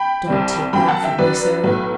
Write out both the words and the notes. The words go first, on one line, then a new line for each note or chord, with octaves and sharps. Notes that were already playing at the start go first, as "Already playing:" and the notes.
Don't take that from me, Sara.
Already playing: G5 B5
C2 C3 G3
F#2 F#3 G5 B5
F#5 A5
E5 G5
F#2 F#3 B4 D5
B1 A2 F#3 B4